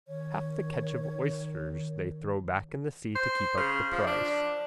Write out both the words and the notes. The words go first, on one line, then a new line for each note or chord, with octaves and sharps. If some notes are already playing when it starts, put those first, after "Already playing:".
Half the catch of oysters they throw back in the sea to keep up the price.
D#3 C#5
C5
C#3
F3
D4